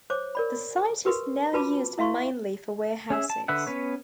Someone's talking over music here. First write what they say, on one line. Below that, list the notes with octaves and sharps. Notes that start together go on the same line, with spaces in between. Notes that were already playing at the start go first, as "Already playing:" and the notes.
The site is now used mainly for warehouses.
C5 C#5 D6
A#4 D5 B5
G4 A#4 B4 C6
F4 F#4 B4 A5 B5 D6
E4 E5 F5 C6 C#6
C#4 G#4 E5
A5
D3 B4 E5 F#5
B3 C#4 B4 C#5